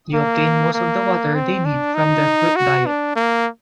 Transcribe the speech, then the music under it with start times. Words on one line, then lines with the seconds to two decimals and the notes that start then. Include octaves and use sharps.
They obtain most of the water they need from their fruit diet.
0.14 A#3
0.74 A#3
1.35 C4
1.66 D4
1.95 D#4
2.56 F#4
2.86 D4
3.16 A#3